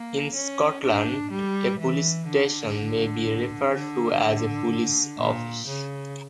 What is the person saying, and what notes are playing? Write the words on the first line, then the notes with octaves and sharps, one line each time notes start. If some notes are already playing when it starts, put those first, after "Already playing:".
In Scotland a Police Station may be referred to as a Police Office.
Already playing: A#3
C#4
D4
G3
E3
D3
D3
A#2
C#3